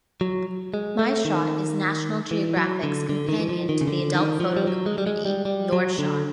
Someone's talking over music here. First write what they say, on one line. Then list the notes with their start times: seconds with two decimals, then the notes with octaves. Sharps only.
My Shot is National Geographic's companion to the adult photo community "Your Shot".
0.21 F#3
0.74 G#3
0.99 A3
1.25 D#3
2.31 E3
2.57 F#3
2.83 D3
3.09 D3
3.29 D#3
3.39 E3
3.49 F3
3.69 D#3
3.81 C#3
3.88 D3
4.14 D#3
4.40 F3
4.57 G3
4.67 F#3
4.86 G#3
4.98 G3
5.07 G#3
5.25 G3
5.45 G3
5.73 F#3
5.99 D3